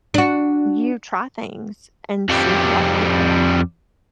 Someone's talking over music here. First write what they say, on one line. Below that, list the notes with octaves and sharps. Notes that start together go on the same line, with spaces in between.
you try things and see if you like it, if you're
D4 F#4
F2 G3